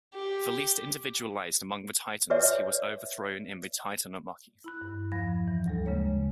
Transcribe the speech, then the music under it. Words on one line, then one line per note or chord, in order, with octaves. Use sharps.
The least individualized among the Titans he was overthrown in the Titanomachy.
G4
B4 C#5 D5 E5
E4 B5 F#6
G2
E2 F3 B5 A#6
E3
D2 G3 A4
C#3 G#3 A#3 C#5